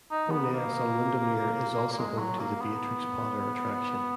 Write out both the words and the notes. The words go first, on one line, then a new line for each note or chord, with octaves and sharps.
Bowness-on-Windermere is also home to the Beatrix Potter attraction.
D#4
B3
A#3
A#3
G#3
F#3
A#3
B3